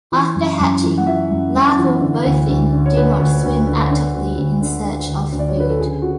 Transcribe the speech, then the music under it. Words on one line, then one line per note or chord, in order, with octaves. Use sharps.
After hatching, larval bowfin do not swim actively in search of food.
E3
F#2
F#2
E3
F#5
E3 E5
F#2
F#2
E3
D3
D2
D2
D3
C#5
D3 B4
D2
D2
D3
D3
D2
D2
D3
D3
D2
D2
D5
C#5
D3 B4
A4
C#3 G#4
F#4